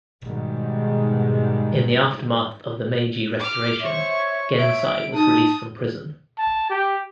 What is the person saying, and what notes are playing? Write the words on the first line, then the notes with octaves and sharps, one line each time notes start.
In the aftermath of the Meiji Restoration, Gensai was released from prison.
G#2 B2 D#3 G3 G#3
D6 F6
C5 C#5 E5 C#6
E5 D7
D#4 A5 D#6
A5
G4